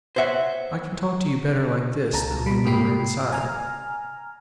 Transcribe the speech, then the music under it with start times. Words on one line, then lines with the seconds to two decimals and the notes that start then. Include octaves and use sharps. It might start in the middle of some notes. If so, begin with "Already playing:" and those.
I can talk to you better like this than when you were inside...
0.16 C5 C#5 E5 F#5
2.13 C#2 A5 A#5
2.46 G3 B5
2.65 G#2 C3 A#3 G4 B5 C7
3.32 G#5 A#5 F6